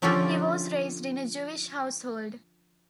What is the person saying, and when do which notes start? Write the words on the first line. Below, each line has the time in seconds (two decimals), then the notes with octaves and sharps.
He was raised in a Jewish household.
0.02 D3 F3 C#4 F4 G4 A4